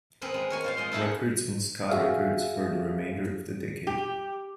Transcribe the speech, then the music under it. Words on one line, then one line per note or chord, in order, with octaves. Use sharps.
Records and Ska Records for the remainder of the decade.
C4 G#4 A#4 B4
G#3
A#4 C#5 G#5
F4 C5 F5
G#3 D#5 C6
G#3 A3 D#4 E4 A5
F#4 G#4 E5 F5
G4